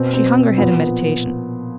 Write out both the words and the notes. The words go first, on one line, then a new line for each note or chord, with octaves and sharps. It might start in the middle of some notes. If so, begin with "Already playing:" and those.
She hung her head in meditation.
Already playing: B2 C4
C4
C4
A#2 F3 B3